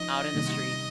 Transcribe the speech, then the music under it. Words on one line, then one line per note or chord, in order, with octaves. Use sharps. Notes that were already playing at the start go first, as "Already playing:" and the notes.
out in the street,
Already playing: F3 D#4 D#5
C3 D#3 G3 A#3